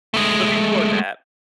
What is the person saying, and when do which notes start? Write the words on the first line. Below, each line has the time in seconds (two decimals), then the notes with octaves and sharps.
but before that,
0.14 G#3 A3